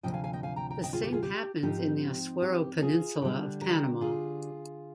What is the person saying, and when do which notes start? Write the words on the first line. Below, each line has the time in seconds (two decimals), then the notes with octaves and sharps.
The same happens in the Azuero peninsula of Panama.
0.03 D2 C3 F3 D#5 G5
0.14 F5 G#5
0.24 F5 G#5
0.33 D#5 G5
0.43 F5 G#5
0.56 G5 A#5
0.70 G5 A#5
0.83 D#5 G5
0.93 F4 G#4
1.04 G4
1.12 F4 G#4
1.23 G4
1.62 G#2 F3 C4 D#4 G4
2.42 G4
2.82 F4 G#4
3.22 D3 G3 D4
3.61 G4 A#4
4.01 F4 G#4